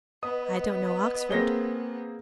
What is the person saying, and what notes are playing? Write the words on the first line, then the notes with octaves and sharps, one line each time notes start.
'I don't know Oxford.
B3 B4 D#5 D#6
A#3 C4 G#4 A#6 G7